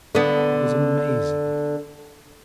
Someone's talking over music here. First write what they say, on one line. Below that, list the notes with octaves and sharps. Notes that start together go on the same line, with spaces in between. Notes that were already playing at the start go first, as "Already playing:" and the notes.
It was amazing.
D3 B3